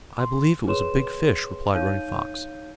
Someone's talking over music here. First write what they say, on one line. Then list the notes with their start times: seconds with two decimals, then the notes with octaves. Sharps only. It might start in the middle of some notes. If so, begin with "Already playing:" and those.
"I believe it was a big fish," replied Running Fox.
0.19 C6
0.67 G#4 B4 C#5 C6 E7
1.74 D#4 C#5 F5 G6 D#7